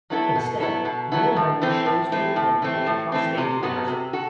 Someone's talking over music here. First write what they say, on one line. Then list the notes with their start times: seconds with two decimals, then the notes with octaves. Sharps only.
Instead, Mirabelli chose to attend Wichita State University.
0.10 F#3 B3 E4 A4
0.35 B2
0.60 F#3 B3 E4 A4
0.85 B2
1.12 F#3 B3 E4 A4
1.36 A2
1.62 E3 A3 C4
1.86 A2
2.12 E3 A3 C4
2.36 A2
2.62 E3 A3 C4
2.87 A2
3.12 E3 A3 C4
3.38 C3
3.63 F#3 B3 F#4 A4
3.88 C3
4.13 F#4 A4